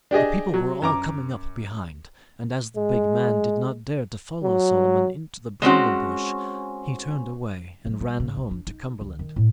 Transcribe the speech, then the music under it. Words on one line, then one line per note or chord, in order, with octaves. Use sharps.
The people were all coming up behind, and as the big man did not dare to follow Solomon into the bramble-bush, he turned away and ran home to Cumberland.
D4 G4 G#4 D#5
F#3
F#2 A#5 D6
G#3
F#3
G#3 C4 C#4 F#4
F#3
G3
C#3
B1
D4
D#4
D2
D#3
A2